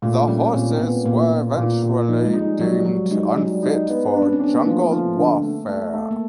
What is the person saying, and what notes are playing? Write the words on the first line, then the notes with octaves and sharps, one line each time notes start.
The horses were eventually deemed unfit for jungle warfare.
A#2 A3
G3 C#4
A#2 C4
A#2 B3
A#2 A#3
A#2
A#2
A#2
F3 D#4
G#3
G3 D#4
F#3 G3
F#3 G3
G3
G#3 D#4
F#3 G3
D#4
B3
D4
C#4
C4
B3 D4
A#3
F3 A3
F3
D3
A3
A3
A3
A#3